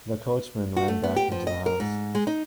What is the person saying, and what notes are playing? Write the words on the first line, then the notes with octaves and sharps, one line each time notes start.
The coachman ran back into the house.
F#4
A3
B3
G4
F3
D#5
A#4
G#2
G#3
D#4